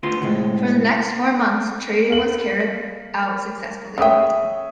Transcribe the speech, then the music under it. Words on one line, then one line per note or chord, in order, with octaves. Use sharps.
For the next four months, trading was carried out successfully.
D2 B3 F4 C6
A2 C3 G#3
A#3 F5 F#7
C#3 C#5 E5 G5 D#6